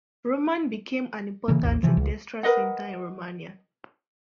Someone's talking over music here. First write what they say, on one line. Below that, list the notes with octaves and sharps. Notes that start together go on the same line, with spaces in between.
Roman became an important industrial center in Romania.
C#3 E3 A#3
A1 D#2
C3 E3 F3
C#2
A#4 B4 D#5 F#5